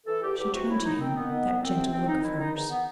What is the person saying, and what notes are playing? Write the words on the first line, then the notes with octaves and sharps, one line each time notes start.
She turned to him that gentle look of hers.
E3 A4
E2 G4
E2 G4
C3 F#4
F#2 E4
F#2 D#4
D#3 C4
D#3 B3
D#3
C2
C2 C4
C3
D#2 C4
D#2 D#4
D#3 E4
D#3 D#4
E2 D#4
B3